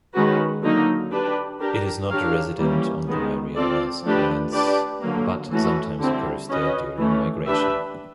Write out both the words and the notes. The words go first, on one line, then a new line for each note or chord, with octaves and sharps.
It is not resident on the Marianas islands, but sometimes occurs there during migration.
D#3 G#3 C#4 F#4 B4
D3 F#3 A#3 D#4
D4 G4 B4
D4 G4 A#4
D4 G4 A#4 C#5 F5
E3 G3 A#3 C#4
D#3 G#3 B3
C4 F4 A4 D5
F3 A3 D4 G4 B4
D4 G4 B4 D5
D3 F#3 A#3
E3 A3 C#4 F#4 A4
D3 G3 C4 E4
C#4 F#4 B4 D#5
E3 A3 C#4
D4 G4 B4 E5